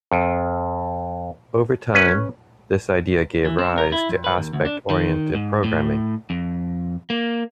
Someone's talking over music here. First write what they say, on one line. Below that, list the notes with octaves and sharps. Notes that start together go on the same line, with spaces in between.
Over time, this idea gave rise to aspect-oriented programming.
F2
C#4 B4
E3
C4
A#4
E4
F2
B4
D#2
D2
D4
D#3
G#2
A2
F2
A#3